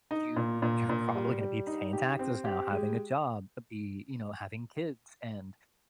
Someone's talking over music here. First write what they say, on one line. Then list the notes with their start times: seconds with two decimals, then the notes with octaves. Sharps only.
you you're probably gonna be paying taxes now, having a job, uh, be, you know, having kids, and
0.11 D#4
0.36 A#2
0.62 A#2
0.89 A#2
1.15 G3
1.40 G3
1.67 D#4
1.93 G4
2.19 C4
2.45 G4
2.71 G#3